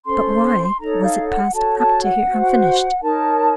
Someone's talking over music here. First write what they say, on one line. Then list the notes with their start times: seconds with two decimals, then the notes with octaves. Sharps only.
But why was it passed up to her unfinished?
0.05 C#4 A4 C5 C6
0.79 D#4 A4 C#5 A#5
1.03 F5
1.28 F#5
1.53 F#4 A4 C#5 A5
1.78 A5
2.02 F#5
2.27 F#4 C5
3.02 D#4 A#4 C#5 A5